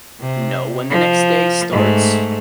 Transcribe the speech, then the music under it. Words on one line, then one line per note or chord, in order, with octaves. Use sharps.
know when the next day starts,
C3
F3
G#2 A3